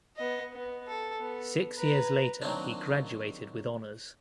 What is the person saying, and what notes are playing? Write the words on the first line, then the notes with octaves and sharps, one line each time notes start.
Six years later he graduated with honors.
B3 D#5
B3
A4
B3
B4 A#5
D#3 F#3 A#3 C4 D4